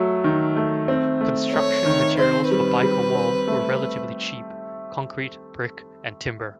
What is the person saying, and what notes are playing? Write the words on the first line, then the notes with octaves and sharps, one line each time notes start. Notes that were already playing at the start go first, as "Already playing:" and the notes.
Construction materials for Byker Wall were relatively cheap, concrete, brick and timber.
Already playing: F#3 A3
D#3
A3
C4
A3
A3 C#5
D#3
C4 C5
G3 B4
G3
C4
A3